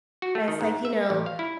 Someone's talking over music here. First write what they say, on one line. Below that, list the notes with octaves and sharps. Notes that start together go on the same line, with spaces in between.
and it's, like you know,
F#4
A3
D#3
G#2
E5
A1
F5
E4